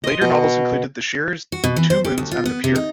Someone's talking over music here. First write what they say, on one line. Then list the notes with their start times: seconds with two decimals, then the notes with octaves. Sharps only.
Later novels include "The Shearers", "Two Moons" and "The Pier".
0.04 D#5 C6
0.21 B2
1.52 F#4
1.64 B2
1.76 E3
1.90 C5
2.05 G4
2.18 D2
2.31 F4
2.46 B3
2.64 C3
2.76 D#4